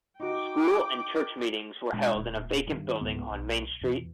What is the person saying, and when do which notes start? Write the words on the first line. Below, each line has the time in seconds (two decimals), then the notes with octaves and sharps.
School and church meetings were held in a vacant building on Main Street.
0.20 D#4 F#4 G5 D6
1.93 A#2 G#3 D4
2.15 D1 A#2
2.67 G2 D#3
3.01 C#2 G#2 B3
3.31 B1
3.81 E2 B2 E3